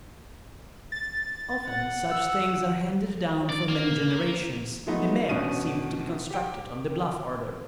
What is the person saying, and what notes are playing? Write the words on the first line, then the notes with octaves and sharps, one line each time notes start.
Often such things are handed down for many generations; the Mayor seemed to be constructed on the bluff order.
A6
F#5
E6
D5
A#3
F3 F#3 G#3 A3 B3 D#4
E2 B2 C#4 D4 D#7
G4 G5